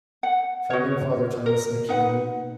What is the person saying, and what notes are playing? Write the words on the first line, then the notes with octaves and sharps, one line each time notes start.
Founding Father Thomas McKean.
F#5
F#4 C#5
A#4
D#4 B4 F#5